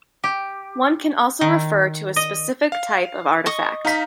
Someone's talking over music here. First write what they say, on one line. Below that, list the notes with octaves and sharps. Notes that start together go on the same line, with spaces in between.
One can also refer to a specific type of artifact.
G4
D#3
D#5
F5
D#5 C#6 D#6
D#4 F5 A#5 B6